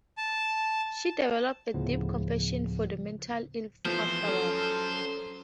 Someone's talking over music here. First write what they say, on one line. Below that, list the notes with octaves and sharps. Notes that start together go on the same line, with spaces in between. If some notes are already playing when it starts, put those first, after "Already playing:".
She developed a deep compassion for the mentally ill afterward.
A5
D2 A2 C#3 F3 B3
E3 F3 B3 C5
F#3 C#4 A4